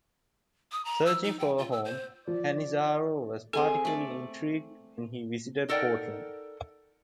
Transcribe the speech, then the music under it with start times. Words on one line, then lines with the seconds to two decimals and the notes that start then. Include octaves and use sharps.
Searching for a home, Canizaro was particularly intrigued when he visited Portland.
0.72 D#6
0.85 A#5
1.06 E6
1.23 D#4
1.39 G5
1.58 F4
1.72 E6
1.85 C5
2.27 F3 D5
3.53 C4 G#4 A4 G#5
3.85 A3 D5
5.69 D#4 A4 A#4 D5 F#5 G5